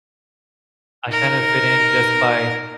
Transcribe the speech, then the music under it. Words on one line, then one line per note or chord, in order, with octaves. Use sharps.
I kind of fit in just by
D#4 A#4